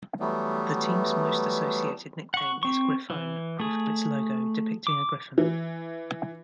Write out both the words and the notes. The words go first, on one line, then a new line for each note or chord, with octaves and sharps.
The team's most associated nickname is "grifone", after its logo, depicting a griffon.
E3 F#3 G3 A3 B3
F#5 C#6
C4 C#6
E3
A3 G#4
D6
E3